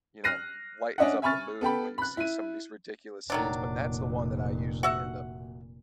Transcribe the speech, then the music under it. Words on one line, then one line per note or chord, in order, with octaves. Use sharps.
you know, lightens up the mood when you see some of these ridiculous scenes, but that's the one that I usually end up
F6 F#6 A#6 C7 D#7
C#4 D4 D#5 E5 F#5
E5 G#5 B5 C#6 F6 A6
B3 A4 G5 B5
B5 F#6
E4 D#7
F1 A#2 D#3 F#3 D4
F#4 E5 F#5